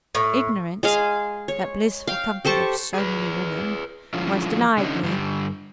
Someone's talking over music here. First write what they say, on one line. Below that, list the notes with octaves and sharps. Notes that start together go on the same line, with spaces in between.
Ignorance--that blissful comfort of so many women,--was denied me.
A2
G#3 G#4 F5
C#5
F5 G5
G4 A4 C5 C#6
G#4 B4
D3 F3 G#3 C#4 E4 F4
D3 A3 C#4 D#4
G2 D3 G3